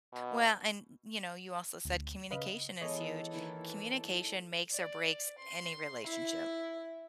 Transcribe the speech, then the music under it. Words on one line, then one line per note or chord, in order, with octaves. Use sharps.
Well and y you know, you also said communication is huge, communication makes or breaks any relationship.
B2
D2
C#3 B4 D#5 F5
E3 G#3 B3 A4 C#5 D#5
D#3 A#3 E4
D5
C6
E4 E5